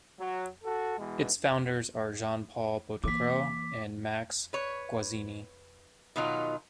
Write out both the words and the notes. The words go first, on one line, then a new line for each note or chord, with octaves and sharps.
Its founders are Jean-Paul Baudecroux and Max Guazzini.
F#3
F#4 A4
B2 E3 G#3
E3 A#3 D6 B6
B4 C#5
B2 D#3 F#3 D#4 F4